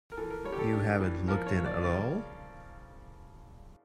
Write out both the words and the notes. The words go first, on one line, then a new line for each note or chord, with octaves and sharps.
You haven't looked in at all?
A#4
E3 A4
A#4
G3 C#5
G4
A4
D4
E3
F3 A#4
C#5
F3
D5
C#3 D5